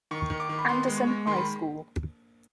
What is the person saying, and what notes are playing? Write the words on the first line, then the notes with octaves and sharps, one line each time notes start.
Anderson High School.
D#3 C#6
D#3
D6
D#3
B5
B3 C6
G#3
C#6
G#3
D#3 C6
B5